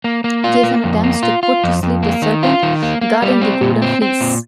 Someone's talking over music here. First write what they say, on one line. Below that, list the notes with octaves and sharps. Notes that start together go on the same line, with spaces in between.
Jason attempts to put to sleep the serpent guarding the golden fleece.
A#3
A#3
F4
A#3
F2
A#3
F4
F4
F2
F2
A#3
D#3
F4
D#3
A#3
A#3
G3
C4
A#2
C4
C4
A#2